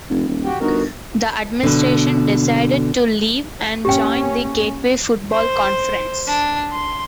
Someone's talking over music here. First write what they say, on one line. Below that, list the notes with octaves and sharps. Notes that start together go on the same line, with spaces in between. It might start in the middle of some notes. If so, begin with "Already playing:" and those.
The administration decided to leave and joined the Gateway Football Conference.
F1
D#1
F#4 G4 G5
G1 D#4 F#4 A#4
B2 D3
A#3 C#4 G4 G5
C5
D4
C6